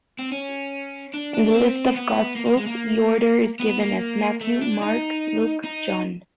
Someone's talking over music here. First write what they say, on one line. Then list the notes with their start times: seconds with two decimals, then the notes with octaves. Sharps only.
In the list of gospels, the order is given as Matthew, Mark, Luke, John.
0.19 C4
0.32 C#4
1.14 D4
1.35 D4
1.55 C4
1.96 B3
2.36 A#3
2.47 A#3
2.57 G#3
2.67 A#3
3.60 B3
3.80 A#3
4.41 A3
4.61 D4
4.82 D#4
5.64 D#4